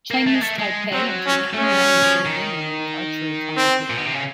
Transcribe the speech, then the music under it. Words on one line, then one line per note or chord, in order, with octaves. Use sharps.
Chinese Taipei entered three men and three women in the archery competition.
A#3
A3
G#3
A3
G#3
F#3 C4
C#4
A3
G#3 C#4
G3
F#3
F3
D#3
C4
A#2
B2
C3
C#3